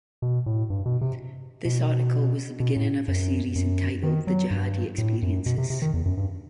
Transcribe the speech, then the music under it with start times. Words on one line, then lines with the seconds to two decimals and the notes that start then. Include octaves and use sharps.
This article was the beginning of a series entitled "The Jihadi experiences".
0.22 B2
0.46 A2
0.70 G2
0.86 B2
1.01 C3
1.65 B2
2.60 B2
2.76 A2
3.08 F#2
3.55 F#2
4.03 D#3
4.27 F#3
4.51 G2
4.98 A2
5.22 F#2
5.46 B2
5.58 C3
5.70 C3
5.82 D#3
5.94 E2
6.05 F#2
6.17 G2